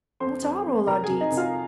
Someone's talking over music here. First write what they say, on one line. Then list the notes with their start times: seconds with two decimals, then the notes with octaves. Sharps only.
What are all our deeds?
0.20 F2 C5 C6
0.42 F2
0.65 F2
0.87 C2 A#4 A#5
1.04 G#4 G#5
1.10 C2
1.21 D#4 D#5
1.32 C2
1.37 F4 F5